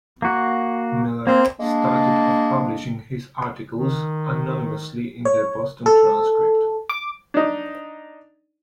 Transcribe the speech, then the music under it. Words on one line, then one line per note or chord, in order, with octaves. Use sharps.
Miller started off publishing his articles anonymously in the "Boston Transcript".
A#3 F#4
A#3 C4 C5
G#3 A#3 D4
D#3
C#5
A4
D6
D4 D#4